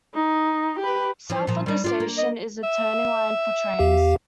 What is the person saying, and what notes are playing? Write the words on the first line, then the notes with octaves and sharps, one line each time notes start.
South of the station is a turning line for trains.
D#4
G4 B4
E3 F3
A#2 F3
D#3 G3 D4
D4 F4 G#4 D5
A#3
D#5
E5
E2 G4 F5